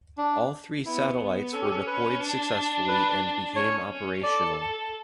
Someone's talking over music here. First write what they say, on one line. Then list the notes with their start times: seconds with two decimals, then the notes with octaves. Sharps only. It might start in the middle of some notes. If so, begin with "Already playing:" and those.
All three satellites were deployed successfully and became operational.
0.18 D4
0.86 B3 E4
1.53 C#4 A4
1.62 G4
1.70 A4
1.87 B4
2.21 D4
2.88 B4
3.56 C#4 C#5
3.90 C#4
4.23 A4 D5